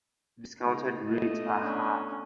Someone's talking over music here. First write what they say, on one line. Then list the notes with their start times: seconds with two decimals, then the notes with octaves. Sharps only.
Discounted rates are half.
0.64 C#3 G#3 D#4
1.08 A3 B3 D#5
1.59 C#4 D4